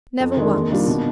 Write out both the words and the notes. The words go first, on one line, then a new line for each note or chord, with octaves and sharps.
Never once!
F2
D#3 G#3 D4
D#2
D#3 G3 D4 F4
B2